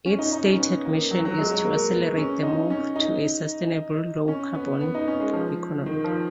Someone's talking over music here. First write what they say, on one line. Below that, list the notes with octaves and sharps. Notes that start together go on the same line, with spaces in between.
Its stated mission is to accelerate the move to a sustainable, low carbon economy.
C#4
D#4
D#4
C#4
B3
A#3
F#3
F#3
G#3
F#3
A#3
B3
C#4
D#4
C#4
D#4
C#4
B3
B3
D#4
C#4
G#3
F3
D#3
F3